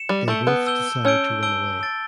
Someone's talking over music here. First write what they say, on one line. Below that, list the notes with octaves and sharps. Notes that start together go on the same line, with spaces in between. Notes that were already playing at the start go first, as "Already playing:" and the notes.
They both decide to run away.
Already playing: C#7 E7
G3
A3 A5 E6 G6 D7 G7
B3
A5 E6 G6 D7 G7
C#4 A5 E6 G6 D7 G7
A5 E6 G6 D7 G7
E6 A6 D7